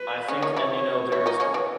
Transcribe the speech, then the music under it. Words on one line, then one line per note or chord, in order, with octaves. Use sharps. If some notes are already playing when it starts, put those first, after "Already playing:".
I think and you know, there's
Already playing: B4
C#3 C#4 C#5
D#3 D#4
E3 E4
C#5
E3 E4 C#5
D#3 D#4
C#3 C#4
E3